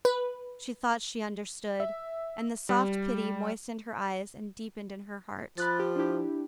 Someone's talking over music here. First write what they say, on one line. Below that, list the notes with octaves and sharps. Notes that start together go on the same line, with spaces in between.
She thought she understood, and the soft pity moistened her eyes and deepened in her heart.
B4
E5
G3
F3 B5 F#6 A6
G4
D4 E4 G4